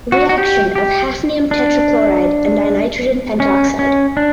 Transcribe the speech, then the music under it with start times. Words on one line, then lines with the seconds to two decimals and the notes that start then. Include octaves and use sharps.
Reaction of hafnium tetrachloride and dinitrogen pentoxide.
0.12 F#4
0.29 F#4
0.38 G4
0.75 G4
1.51 D4
3.40 C#4
3.79 C#4
4.17 D4